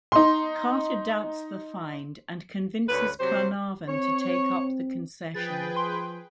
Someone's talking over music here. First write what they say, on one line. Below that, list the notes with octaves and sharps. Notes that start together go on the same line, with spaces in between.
Carter doubts the find and convinces Carnarvon to take up the concession.
D#4 C6
D2 C#4 B4
C3 F#3 G4 C5
C4 C#5
F3 G#4 B4 G5 A6
C6